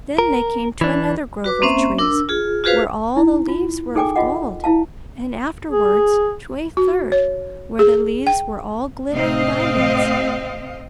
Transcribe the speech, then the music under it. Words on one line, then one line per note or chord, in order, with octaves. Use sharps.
Then they came to another grove of trees, where all the leaves were of gold; and afterwards to a third, where the leaves were all glittering diamonds.
A#4
E3 D4
F#4 B4 D6
A#3 C4 C#4 C5 E5
D4 A#4 D6 E6
F4 G#4
F4 F#4 G#4 B4 C5 F5
D#4 E4
F4
D#4 G#4 A4 G5 G#5 D6
F4 G#4 D#5 F#5
E4 F5 A5
G#4
F#4
C#5
G#4
G5
A2 C3 C4 D#5 F5